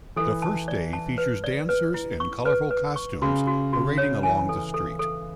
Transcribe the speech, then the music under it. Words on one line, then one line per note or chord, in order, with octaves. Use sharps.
The first day features dancers in colorful costumes parading along the street.
E3 A4
A5
D5
A5
B4
D5
B4
E4
C#6
B4
B4
C#6
C#3 F#4
F#4
F#4
C#5
E3 G#5
A4
A4
A4